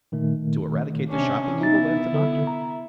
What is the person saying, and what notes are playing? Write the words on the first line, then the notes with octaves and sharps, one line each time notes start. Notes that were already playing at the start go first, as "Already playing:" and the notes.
"To eradicate the shopping evil?" laughed the Doctor.
A#2 D#3 A3
C3 C#4 D4
B3 D#4 E4 A6
D3 A4
A#5